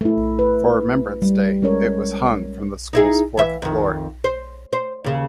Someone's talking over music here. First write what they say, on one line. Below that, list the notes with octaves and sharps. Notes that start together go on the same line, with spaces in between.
For Remembrance Day it was hung from the school's fourth floor.
A3 E4
B4
G3
G#3 C#4 A#4 C#5
D#4 E4 G#4
E3 E5
F2 D#3
C5
C5
D#2 C#3